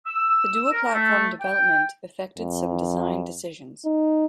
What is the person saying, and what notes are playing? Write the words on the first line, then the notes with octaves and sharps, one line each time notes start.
The dual platform development affected some design decisions.
E6
A#4
A3
G5
F2
D#4